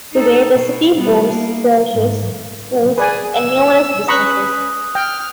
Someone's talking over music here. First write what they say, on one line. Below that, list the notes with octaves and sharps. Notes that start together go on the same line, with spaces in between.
Today the city boasts churches, schools, and numerous businesses.
D#4 A4
B2
G3 B3
A#3
G#2
G#4 B4 D5 G#5
E6
C#4 B4 A#5 B5 C#6 D#6 F#6
G5 F6